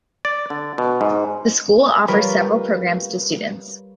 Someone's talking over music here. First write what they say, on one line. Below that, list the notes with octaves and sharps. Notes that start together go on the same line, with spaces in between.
The school offers several programs to students.
D5
D3
B2
G#2
G3 F4 A#4 B4 C#5